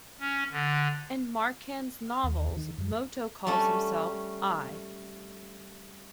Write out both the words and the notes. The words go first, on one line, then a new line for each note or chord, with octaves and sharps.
In Marquand's novels, Moto calls himself I.
C#4
D3
F6
D#2
D#3
F#2
G3 A3 C#4 A4